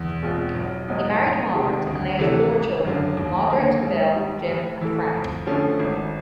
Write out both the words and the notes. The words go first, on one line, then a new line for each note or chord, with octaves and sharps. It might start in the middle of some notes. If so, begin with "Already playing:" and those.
He married Margaret and they had four children Margaret, Bill, Jim and Frank.
Already playing: E2
B2 G#3 C4 F4
B1
A2 F#3 B3 D#4
F2
C3 D#3 G#3
D2
C3 E3 A3
G#1
F#2 D3
D#2
D3 F#3 A#3
G#2
D#3 G3
A2
E3 A3
F2
D3 F3 A3 C#4
G#1